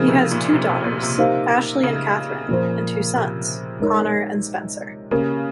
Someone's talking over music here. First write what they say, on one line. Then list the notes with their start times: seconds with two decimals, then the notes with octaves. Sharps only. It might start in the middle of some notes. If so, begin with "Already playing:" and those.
He has two daughters, Ashleigh and Kathryn and two sons, Connor and Spencer.
Already playing: C#3 F3 A#3 D#4 G#4 C5
0.08 C3
0.31 A#2
0.53 C3
0.69 C3
0.85 A#2
1.02 C3
1.18 A#3 D#4 G4 C5 F5
1.83 C#3
2.49 A#2 F3 A#3 F4 C5
3.15 C3
3.80 G#3 D#4 A#4 C#5
5.11 C#3 A#3 C#4 G4 A#4